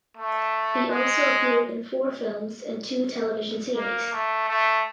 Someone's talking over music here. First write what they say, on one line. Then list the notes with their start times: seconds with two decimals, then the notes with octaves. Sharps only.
He also appeared in four films and two television series.
0.17 A3
0.89 G#3
3.76 A#3
4.13 A3
4.48 A3